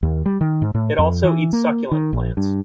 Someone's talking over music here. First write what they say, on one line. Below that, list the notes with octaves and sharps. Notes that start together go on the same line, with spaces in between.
It also eats succulent plants.
D#2
G3
D#3
G#2
A2
F2
E3
A#3
D#3
A#1
G2